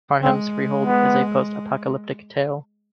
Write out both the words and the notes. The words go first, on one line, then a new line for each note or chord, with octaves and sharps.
"Farnham's Freehold" is a post-apocalyptic tale.
G#3 C4
B3